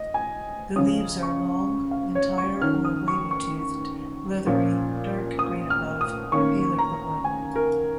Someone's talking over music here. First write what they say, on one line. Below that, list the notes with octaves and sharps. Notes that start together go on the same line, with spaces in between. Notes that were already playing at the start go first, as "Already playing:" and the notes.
The leaves are long, entire or wavy-toothed, leathery, dark green above, paler below.
Already playing: D#5
G#5
C#3 F3 C#4 D#6
C#6
F5
C#5
C#6
D#3 C#4 F6
D#6
C#6
C#6
A#2 F3 C#4
D#6
F6
D#6
D#3 A#3 C#4 C#6
A#5
G#5
A#4